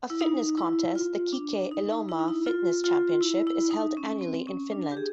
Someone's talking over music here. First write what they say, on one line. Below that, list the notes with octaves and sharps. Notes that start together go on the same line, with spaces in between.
A fitness contest, the Kike Elomaa Fitness Championship, is held annually in Finland.
E4
D#4
E4
F4
D4
D#4
E4
D#4
E4
F4
F4
E4
E4
D#4
C#4
C4
C#4
D4
G4
G#4